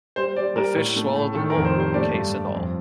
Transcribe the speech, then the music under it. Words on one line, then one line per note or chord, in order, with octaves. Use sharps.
The fish swallow them whole, case and all.
G3 C5
G3 D5
G3 A#4
A2
A3
A2
D#3 A4
A#4
F2
C5
G3 C5
A3 D5
G2
G2
F2